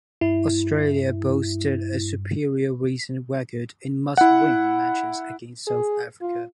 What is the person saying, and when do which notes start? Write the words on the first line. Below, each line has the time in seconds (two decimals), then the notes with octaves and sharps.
Australia boasted a superior recent record in must-win matches against South Africa.
0.21 G2 E4
4.17 E4 F#5
5.67 G#4
6.21 F4